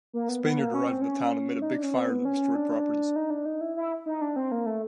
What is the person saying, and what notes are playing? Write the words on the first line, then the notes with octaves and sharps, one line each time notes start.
A Spaniard arrived in the town amid a big fire that destroyed properties.
A#3
B3
B3
A#3
C#4
C4
C#4
D#4
D4
C#4
C4
B3
C#4
D4
D#4
D4
D#4
E4
E4
D#4
D4
C4
A#3
A3